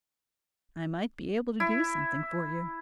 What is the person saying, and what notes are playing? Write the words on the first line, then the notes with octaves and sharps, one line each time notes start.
'I might be able to do something for you.
E4